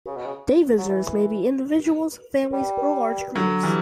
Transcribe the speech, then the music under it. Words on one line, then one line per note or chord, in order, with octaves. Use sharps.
Day visitors may be individuals, families, or large groups.
C#3
B2
C#3
F#3
E3
G3
D3 F#3
E3 G3